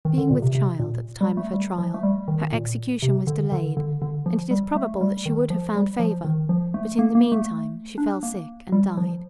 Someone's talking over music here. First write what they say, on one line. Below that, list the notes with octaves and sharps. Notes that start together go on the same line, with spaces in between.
Being with child at the time of her trial, her execution was delayed; and it is probable that she would have found favor, but in the mean time she fell sick and died.
D#3
D3
A#2
C3
C3
A#2
G3
A3
G3
F3
A3
G3
D#3
A#2
C3
D3
D3
D3
D3
F3
G3
A3
G3
D#3
F3
G3
F3
D#3
F3
A3
A#3
A#3
A3
D4
A#3
G3
F3